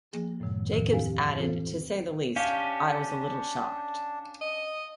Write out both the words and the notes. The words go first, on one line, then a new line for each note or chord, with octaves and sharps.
Jacobs added: To say the least, I was a little shocked.
F3 A#3 G#4
F#2 A2 C3 D#3 G#3
E2 A2 D#3 F3
C4 D4 E4 G4 F5 G#5
E3 C4 F4 A4 C5
C#4 D4 G4 F5
D#5